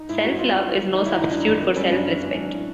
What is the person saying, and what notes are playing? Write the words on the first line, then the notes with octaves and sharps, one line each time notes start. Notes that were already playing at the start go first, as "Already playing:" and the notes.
Self-love is no substitute for self-respect.
Already playing: D#4
G#2 E4
G2 F#4
C#4 F4
E4
G#3
D#3 F4
D#3
D#4
G#1
E4
G#1 D#4
F#2 D4
G#1
D#3 C4
G3 C#4
F#2 D4
F#2
G#1
F#3 D4
A2